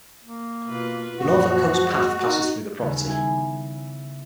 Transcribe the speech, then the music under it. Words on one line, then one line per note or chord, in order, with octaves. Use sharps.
The Norfolk Coast Path passes through the property.
A#3
B2 F4 B4
F#2 A#2 F3 F#4
G#3
D#4 A#4
D#2 C#3 G3 B3
E4 G#5 G#6